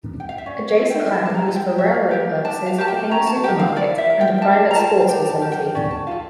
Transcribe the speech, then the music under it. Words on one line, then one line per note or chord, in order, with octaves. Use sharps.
Adjacent land used for railway purposes became a supermarket and a private sports facility.
G5
F5
E5
C#4 D5
C#5
F4 A4
G5
D4 A5
A5
A#5
F4 A4
G5
C#4 E5
G4 A#4
D4 A5
F5
G4 A#4 A5
G5
C#4 A#5
A5
G4 A#4 G5
F5
E4 D5
E5
A#4
G5
D4 A5
A#5
F4 A#4 A5
D4 G5
A5
G4 A#4
G5
C#4 D5
A5
F4 A4 F5